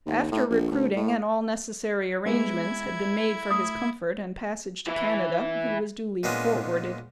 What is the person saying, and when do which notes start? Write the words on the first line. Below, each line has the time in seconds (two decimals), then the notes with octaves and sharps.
After recruiting, and all necessary arrangements had been made for his comfort and passage to Canada, he was duly forwarded.
0.06 D#2
0.32 A2
0.50 A#1
0.72 D2
0.96 A2
2.26 G#3 B3 E4 G#6
3.50 A3 D#6
4.87 E3 E4
6.23 A#2 G#3 B3 C#4 D4